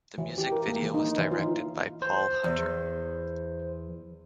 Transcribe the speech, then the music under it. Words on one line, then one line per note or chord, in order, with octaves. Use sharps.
The music video was directed by Paul Hunter.
E3
G4
A#4
A#3
E3
D#4
E3
F4
C5
E2